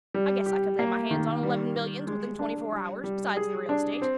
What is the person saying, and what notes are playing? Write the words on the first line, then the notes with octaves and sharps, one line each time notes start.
I guess I could lay my hands on eleven millions within twenty-four hours, besides the real estate.
G3
G4
A#3
D#3
G3
G3
G#3
D4
G3
G3
G#4
D4
C4